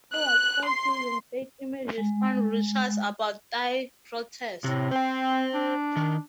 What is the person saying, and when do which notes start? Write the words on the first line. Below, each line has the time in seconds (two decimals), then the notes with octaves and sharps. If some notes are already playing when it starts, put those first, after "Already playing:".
He was caught using fake images on Reuters about Thai protests.
0.14 F#6
0.67 C6
1.98 G#3
4.64 A2 C3
4.91 C4 C5 G5
5.55 D4
5.96 D#3